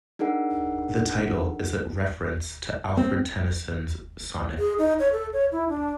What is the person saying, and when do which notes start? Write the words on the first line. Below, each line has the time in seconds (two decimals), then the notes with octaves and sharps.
The title is a reference to Alfred Tennyson's sonnet "".
0.19 D4 D#4 G#4 A#4 F#5
2.97 C4
4.59 G#4
4.79 D#4
4.99 C#5
5.12 A4
5.33 C#5
5.52 E4
5.69 D4